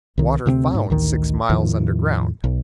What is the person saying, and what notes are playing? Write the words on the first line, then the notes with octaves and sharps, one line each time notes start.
Water found six miles under ground.
C2 D#3
D2 C3 A#3 C4
G#2
A1 D2 D#3
E2 A2 D#3 F3
B1